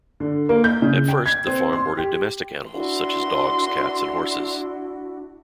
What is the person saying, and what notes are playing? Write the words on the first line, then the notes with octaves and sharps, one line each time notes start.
At first, the farm boarded domestic animals such as dogs, cats, and horses.
D3
A#3
G6
C#3
G5
G#6
C4
C6
G4
D4 E4 F#4 C6